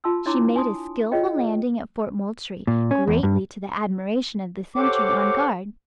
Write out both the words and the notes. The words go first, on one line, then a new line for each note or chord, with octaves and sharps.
She made a skilful landing at Fort Moultrie, greatly to the admiration of the sentry on guard.
F4 A5 C6 E6
D4 E4 C#5 A#5 C6 D6
G#5 A5 C6 D#6
F4 G#4 C#5 D#5 G5
A#2
C#4
E2
G2
G4 A4 C5 C#5 F#5 D6